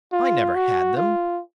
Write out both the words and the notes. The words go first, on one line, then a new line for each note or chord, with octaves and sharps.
"I never had them!"
F4
F#4
F4